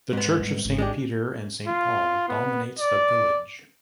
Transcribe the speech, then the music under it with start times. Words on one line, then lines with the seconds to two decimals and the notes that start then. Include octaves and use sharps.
The Church of Saint Peter and Saint Paul dominates the village.
0.13 G#2 B3
0.40 G3
0.65 G#1
0.78 G#3 D4 G4
1.67 F4
2.29 B3
2.79 D5